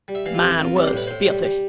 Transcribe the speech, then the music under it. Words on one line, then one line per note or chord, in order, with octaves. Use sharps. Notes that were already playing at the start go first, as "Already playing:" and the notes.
Mine was filthy.
G3
E5
E3 F5
F4
G4
F2
E4
F2 F4
G3 D5
C5
A2 B4
A2 C5
G3
G3